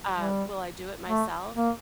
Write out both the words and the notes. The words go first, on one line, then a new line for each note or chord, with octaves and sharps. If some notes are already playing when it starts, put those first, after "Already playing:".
Uh, Will I do it myself?
G3
A3
A#3